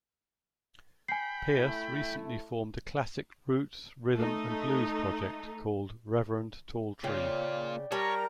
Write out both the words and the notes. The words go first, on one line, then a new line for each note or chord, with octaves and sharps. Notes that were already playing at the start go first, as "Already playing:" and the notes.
Pierce recently formed a classic roots, rhythm and blues project called Reverend Tall Tree.
G5 G#5 B5 C7
A3 E4
A3 D#4
A#2 C#3 F4 D5 G5
G3 A#4 C#5 A5 A#5